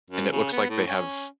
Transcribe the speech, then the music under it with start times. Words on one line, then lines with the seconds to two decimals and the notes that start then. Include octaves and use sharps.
and it looks like they have
0.10 F#2
0.32 C#3
0.52 B3
0.69 A2
0.87 C#4